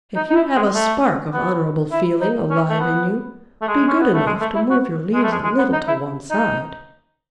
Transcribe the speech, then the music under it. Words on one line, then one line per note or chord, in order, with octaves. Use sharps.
If you have a spark of honourable feeling alive in you, be good enough to move your leaves a little to one side.
D#4
D#4
E4
G#3
A3
B3
E4
D#4
C#4
A3
B3
A3
G#3
C#4
B3
A3
G#3
A3
E4
F#4
G#3
A3
G#3
G#3
B3
D#4
E4
D#4